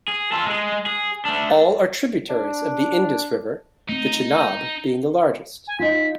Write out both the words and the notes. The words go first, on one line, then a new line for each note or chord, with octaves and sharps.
All are tributaries of the Indus River, the Chenab being the largest.
G#4
F4 A4
G#3 G#4
G#4
A3 D4
D4
A3 C4 D#4
G#5
D#4 F4 B6